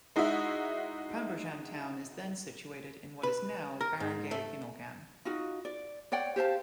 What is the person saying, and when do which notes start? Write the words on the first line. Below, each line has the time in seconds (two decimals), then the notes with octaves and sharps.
Pambujan town is then situated in what is now Barangay Ginulgan.
0.16 G#3 D#4 E4 F#4 E5
3.23 B4
3.81 A#4
4.00 G#2
4.31 A3
5.25 D#4 F4 F#4
5.65 D5
6.12 C#5 D5 F#5 G5
6.36 G4 C5 F5 A5